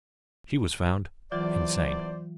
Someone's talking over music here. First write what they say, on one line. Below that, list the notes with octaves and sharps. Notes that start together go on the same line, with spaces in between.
She was found insane.
E2 E3 F#3 F4 C5 D5